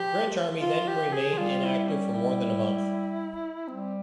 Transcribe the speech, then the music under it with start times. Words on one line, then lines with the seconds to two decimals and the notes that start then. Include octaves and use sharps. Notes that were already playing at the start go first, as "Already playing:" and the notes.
The French army then remained inactive for more than a month.
Already playing: F3 G4
0.62 F4
0.88 G4
1.13 G#4
1.32 F3
1.38 G3 F4
1.64 E4
1.89 C#4
2.15 E4
3.68 G3 C4